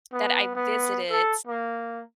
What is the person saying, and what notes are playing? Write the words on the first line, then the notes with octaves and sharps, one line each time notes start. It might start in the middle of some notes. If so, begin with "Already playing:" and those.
that I visited
B3
B3
A4
A#3